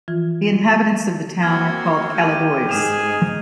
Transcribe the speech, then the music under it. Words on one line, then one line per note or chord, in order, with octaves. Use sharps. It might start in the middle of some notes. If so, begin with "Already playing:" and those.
The inhabitants of the town are called "Caladois".
E3 F3 F4
A#3 C4 F#4 F6 G#6
F6
G4 G6 D#7
G#2 G#4 F6 E7 F7
D#5